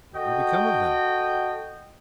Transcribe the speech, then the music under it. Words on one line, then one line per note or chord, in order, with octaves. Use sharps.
What will become of them?
F#4 A4 D#5 G5